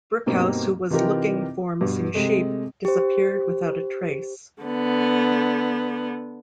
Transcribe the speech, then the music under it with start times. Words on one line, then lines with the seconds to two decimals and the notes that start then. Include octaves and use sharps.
Brookhouse who was looking for missing sheep disappeared without a trace.
0.26 G2 B2 G3 A#3 C4 D#4
0.90 C3 E3 D#4 F4 G4 A#4
1.81 G2 B2
2.14 C3 G#3 A3
2.85 G4 C5
4.62 D3 B3